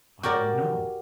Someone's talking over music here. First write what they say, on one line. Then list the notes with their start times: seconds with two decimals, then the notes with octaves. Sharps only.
"I don't know."
0.23 F#4 G4 A#4 D5